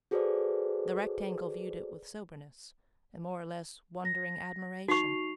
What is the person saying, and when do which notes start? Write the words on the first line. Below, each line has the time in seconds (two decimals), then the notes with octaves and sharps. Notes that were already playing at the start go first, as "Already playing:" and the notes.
The Rectangle viewed it with soberness and more or less wondering admiration.
0.11 F#4 G#4 A4 B4 C5 D5
4.05 A#6
4.88 D#4 F#4 C#6 C7 F7